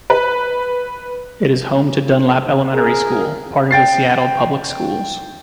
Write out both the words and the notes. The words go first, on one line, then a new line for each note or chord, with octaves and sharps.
It is home to Dunlap Elementary School, part of the Seattle Public Schools.
B4
G#4 A#4
G5 A6 C7